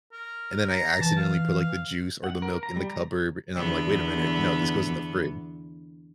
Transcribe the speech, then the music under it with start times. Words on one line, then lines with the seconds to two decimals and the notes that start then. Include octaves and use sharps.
and then I accidentally put, like, the juice or the milk in the cupboard, and I'm like, "Wait a minute. No, this goes in the frid"
0.12 A#4
0.69 A#5
1.01 E3 A5
1.17 F5
2.24 F#5
2.42 A#4
2.63 A#5
2.76 G3
2.89 A#5
3.55 E2 D3 B3